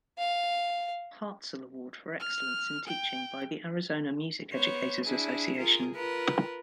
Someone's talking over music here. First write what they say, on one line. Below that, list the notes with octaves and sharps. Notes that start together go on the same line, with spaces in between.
Hartsell Award for excellence in teaching by the Arizona Music Educators Association.
F5
F6
G5
B3 C5 C#5
D4 E4 G#4
F4 G#4 A#4
F4 A#4 B4